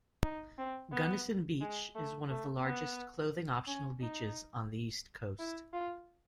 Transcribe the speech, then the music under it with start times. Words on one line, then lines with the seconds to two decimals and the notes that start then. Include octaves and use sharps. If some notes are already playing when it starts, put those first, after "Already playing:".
Gunnison Beach is one of the largest clothing optional beaches on the East Coast.
0.23 D#4
0.58 C4
0.92 B3
1.61 G#3
1.95 A3
2.30 A3
2.64 B3
3.67 C#4
4.01 D#4
5.39 E4
5.73 F4